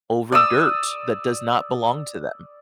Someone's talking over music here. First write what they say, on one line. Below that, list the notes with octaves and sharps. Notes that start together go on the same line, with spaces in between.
over dirt that does not belong to them
D5 D#6 E6